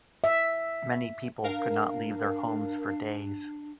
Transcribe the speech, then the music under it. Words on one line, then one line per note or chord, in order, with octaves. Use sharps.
Many people could not leave their homes for days.
E5
D4 A#4 F5